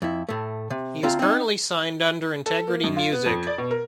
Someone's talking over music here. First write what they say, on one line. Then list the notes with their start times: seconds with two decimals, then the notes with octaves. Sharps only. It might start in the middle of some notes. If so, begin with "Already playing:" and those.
He is currently signed under Integrity Music.
0.02 F2 E4
0.29 A2 A3
0.70 C3
1.03 D2 C4 F4 A#5
1.19 C4 D#4
2.46 A4
2.68 A#3
2.84 F#2
2.97 F4
3.12 B3
3.26 F2
3.47 D5
3.58 B2
3.71 A#4